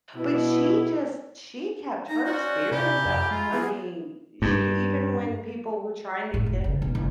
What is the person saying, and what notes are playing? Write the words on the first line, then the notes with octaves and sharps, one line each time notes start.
But she just she kept her spirits up. I mean, she even when people were trying to get her
B2 E4
D#4 A#5
C#4 F#4 C5 D5 D#5
C3 E4 G4 G#5 A#5
F2
G#3 F4
B3 G#4
G2
A2
F1
C#3
B2
F#1